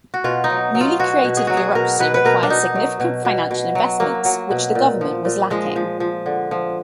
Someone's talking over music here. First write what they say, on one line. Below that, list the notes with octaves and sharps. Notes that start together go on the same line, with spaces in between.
Newly created bureaucracy required significant financial investments, which the government was lacking.
F#4
B2 F4
D#4
F#3
F#3
F4
B2 F#4
B2
G#4
F#3 F#4
G#4
B2 A#4
B2 B4
B4
B2 A#4
D4
B2 D#4
F#3
B2
B2
B2
F#3
F#3 A#3
F#3
B2
A#2
F3
A#2
F3 G#3
F3
F3
D3
F3